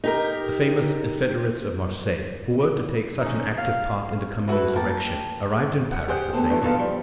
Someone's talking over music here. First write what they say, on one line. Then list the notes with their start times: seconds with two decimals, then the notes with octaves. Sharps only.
The famous federates of Marseilles, who were to take such an active part in the coming insurrection, arrived in Paris the same day.
0.04 D#4 G4 A#4
3.22 C#4 D#4
3.58 F5
4.48 E4 F#4 G#4 A4 B4
4.75 A#3 G5 A5
5.91 F#5
6.08 G4 G#4 C5 F#5 G5
6.33 D2 B2 B3 A4
6.50 F#2 D3 E3 A3 F4
6.61 F3 B3 D#4 F4 A4 F5
6.75 F3 G3